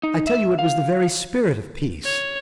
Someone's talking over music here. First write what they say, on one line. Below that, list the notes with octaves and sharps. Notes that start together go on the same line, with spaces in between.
I tell you it was the very spirit of peace.
D#4
E5
F5
C#5